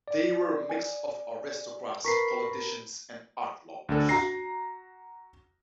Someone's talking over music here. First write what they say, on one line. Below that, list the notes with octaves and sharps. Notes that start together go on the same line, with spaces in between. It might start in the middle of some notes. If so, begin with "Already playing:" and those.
They were a mix of aristocrats, politicians and art-lovers.
D5
G#5
A#4 B4 C#6 B6 C7
D2 D4 A4
F#4 A#5 A#6 C7